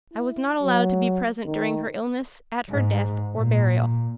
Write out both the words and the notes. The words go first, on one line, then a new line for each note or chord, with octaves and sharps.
I was not allowed to be present during her illness, at her death, or burial.
E4
F#3
D#3
G#2
A#2